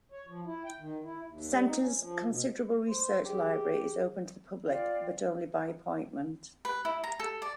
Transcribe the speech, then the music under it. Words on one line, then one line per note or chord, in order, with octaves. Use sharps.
The Centre's considerable research library is open to the public, but only by appointment.
C#5
F3
E4
G5
D#3
E4
D#2
G3
D#4
C#4
F3
B2
C5
G4 G#4
F4 D5 F5 G5
B4
E4
A#5
A4
D5